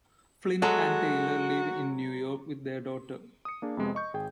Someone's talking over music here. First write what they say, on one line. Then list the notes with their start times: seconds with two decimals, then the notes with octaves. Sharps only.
Flynn and Taylor live in New York with their daughter.
0.62 F#3 G#3 F#4 A4
3.45 D#6 C#7
3.62 A#3 D4 G#4
3.77 F2 C3 G#3 B3
3.95 D#5 C#6 G6
4.14 G#1 G#4 G5